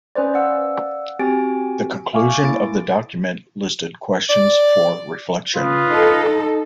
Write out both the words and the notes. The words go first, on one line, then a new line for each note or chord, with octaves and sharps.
The conclusion of the document listed questions for reflection.
C#4 B4 C5 D5
D5 F5 F#5 E6
C4 F#4 G4 G#5 A6 D7
E5 F5 G#5 C#6 D6
A#3 E4 A6 D7
D5
C#3 F4 B4 D#6
D#4 A4